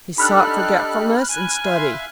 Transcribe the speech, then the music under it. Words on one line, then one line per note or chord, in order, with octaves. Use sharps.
He sought forgetfulness in study.
D4 D#4 G4 A4 B5 F6 F#6
G#5
E5 F5 C6